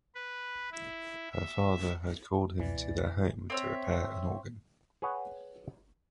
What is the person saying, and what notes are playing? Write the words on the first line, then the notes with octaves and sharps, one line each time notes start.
Her father had called him to their home to repair an organ.
B4
E4
E5
C#2 B2 E3 D5
C4 C#5 E5
G#4 B4 C#5 F#5 G#5